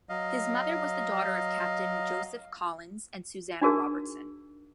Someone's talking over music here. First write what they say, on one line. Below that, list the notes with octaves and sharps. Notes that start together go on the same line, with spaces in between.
His mother was the daughter of Captain Joseph Collins and Susannah Robertson.
F#3 D#5 F5
D4 D#4 F#4 G#4 A#4